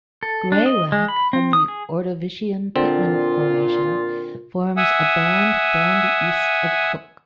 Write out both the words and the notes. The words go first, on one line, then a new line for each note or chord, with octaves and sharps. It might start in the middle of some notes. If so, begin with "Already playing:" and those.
Greywacke from the Ordovician Pittman Formation forms a band down the east of Cook.
A4
D4
D#5
G#3
B5
C4
D#6
G#4
A#2 D3 C4 F4
E5 F#5 G#5 D#6 E6